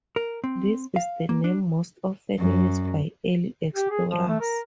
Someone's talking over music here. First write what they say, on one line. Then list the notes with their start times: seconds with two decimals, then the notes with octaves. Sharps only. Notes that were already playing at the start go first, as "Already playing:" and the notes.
This is the name most often used by early explorers.
0.16 A#4
0.44 C4
0.96 F5
1.29 A#3
1.44 D4
2.39 F#2
3.75 G4
3.91 G#4
4.10 F3
4.28 A3
4.40 A#4